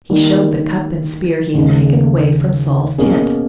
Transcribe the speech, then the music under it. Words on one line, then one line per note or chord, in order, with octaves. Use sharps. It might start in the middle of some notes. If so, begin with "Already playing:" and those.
He showed the cup and spear he had taken away from Saul's tent.
D#3 G3 A#3
D#2 C#3 G#3
B2 A#3 C#4 G#4